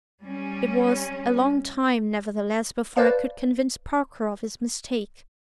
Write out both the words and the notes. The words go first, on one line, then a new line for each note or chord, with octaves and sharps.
It was a long time, nevertheless, before I could convince Parker of his mistake.
G3 C#4
B4 C5 D5 F5 A5